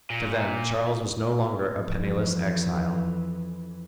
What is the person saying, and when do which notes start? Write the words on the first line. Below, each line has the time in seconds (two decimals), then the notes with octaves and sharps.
To them Charles was no longer a penniless exile.
0.10 A#2
1.79 F2 E3